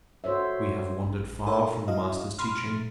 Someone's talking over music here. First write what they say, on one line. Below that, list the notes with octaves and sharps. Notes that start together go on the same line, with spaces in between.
We have wandered far from the Master's teaching.
F#4 A4 C5 C#5 E5
A1
D#4 A4 A#4 C#5 E5
E4 F#4 D#5 F5
B5 C6 F6
A#2 F3 A3